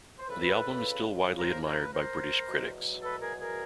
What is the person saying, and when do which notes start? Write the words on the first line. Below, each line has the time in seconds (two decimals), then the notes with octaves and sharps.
The album is still widely admired by British critics.
0.19 C5
0.28 F2 C#3 F3 A4 B4
1.39 A#4 C5
1.65 A#4 C5
1.81 B4
1.93 A#4 C5
2.48 E2 B2 F#3
3.03 A4 B4
3.21 G#4 A#4
3.40 G#4 A#4